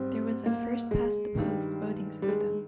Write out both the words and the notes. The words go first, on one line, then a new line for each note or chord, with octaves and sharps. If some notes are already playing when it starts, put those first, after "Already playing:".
There was a first-past-the-post voting system.
Already playing: G#2 G3 C4
A#3
G#3
G2 D#3 G3
G3
G#3